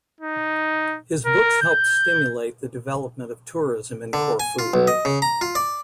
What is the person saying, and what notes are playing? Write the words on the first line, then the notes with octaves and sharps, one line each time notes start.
His books helped stimulate the development of tourism in Corfu.
D#4
A#4
G6
D3
G#5
F4
B1
D#5
C#3
A#5
F4
D5